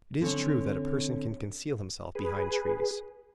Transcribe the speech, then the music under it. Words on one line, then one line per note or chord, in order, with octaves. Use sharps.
It is true that a person can conceal himself behind trees.
D3 C4 C#4 C#5
G#4 B4